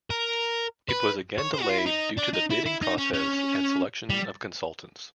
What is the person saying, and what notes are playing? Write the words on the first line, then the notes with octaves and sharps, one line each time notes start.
It was again delayed due to the bidding process and selection of consultants.
A#4
B4
C#5
C5
F#4
F4
E4
D#4
D4
D#4
E4
E4
D#4
C#4
C#4
G3